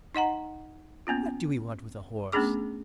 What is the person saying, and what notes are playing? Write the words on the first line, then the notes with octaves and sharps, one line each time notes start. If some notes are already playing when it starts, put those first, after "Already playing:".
What do we want with a horse?
D#4 D#5 F#5 A#5
A#3 B3 C#4 F4
A3 B3 C#4 D4 G#4 D6